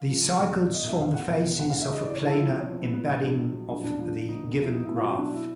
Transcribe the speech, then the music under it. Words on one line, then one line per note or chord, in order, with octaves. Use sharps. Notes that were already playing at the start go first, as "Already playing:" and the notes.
These cycles form the faces of a planar embedding of the given graph.
Already playing: F5
F3
C#3
E1
E1
D5
E1 D#5
E1 E5
E1 F5
E1 F#5
E1
E1
D2 F#5
D2 F5
E5
C#3 D#5
A2 D5
A2 C#5
A4
F3 E4
B1 D#4
F3 C#4
C4
A2 B3
A#2 B3
A#1
A#1
A#1
F#3
A#1
E1 D4
F3
F3
D2 D#4
E1
F3 E4
B2 D#4
B2 E4
F4
F#3 C4
B2 D4
E4